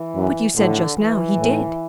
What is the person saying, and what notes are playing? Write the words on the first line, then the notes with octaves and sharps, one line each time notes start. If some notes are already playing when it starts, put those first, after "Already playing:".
"But you said just now he did."
Already playing: E3
F#2
A2 D3
E3
A2